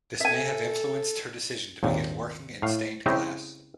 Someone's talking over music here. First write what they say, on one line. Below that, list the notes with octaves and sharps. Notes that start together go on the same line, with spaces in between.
This may have influenced her decision to begin working in stained glass.
A4 E5 G#5
G#1 D#2 A#2
A2 F5
C#3 G#3 C4 D#4 E4 G4